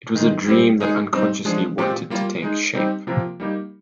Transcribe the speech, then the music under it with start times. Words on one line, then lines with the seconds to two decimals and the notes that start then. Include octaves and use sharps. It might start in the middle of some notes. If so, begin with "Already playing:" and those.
It was a dream that unconsciously wanted to take shape”.
0.15 D#3 G#3 D#4
0.48 G3 C4 G4
0.80 G#3 D#4 G#4
1.13 G3 C4 D#4
1.45 F3 G#3 D4 G#4
1.78 A#2 G#3 C4 G4
2.10 G3 A#3 F4
2.42 G#3 D#4 G#4
2.74 G3 C4 D#4 G4
3.07 C3 F3 A#3 F4 A#4
3.40 G3 A#3 D#4 G4